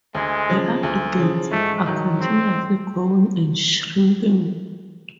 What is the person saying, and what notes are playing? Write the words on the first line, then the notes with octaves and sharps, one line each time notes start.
The aggregates are continuously growing and shrinking.
D2 G#3
C#3 F3
D2
C#3 F3
G#2 A3
D#3 F#3
G#2 C4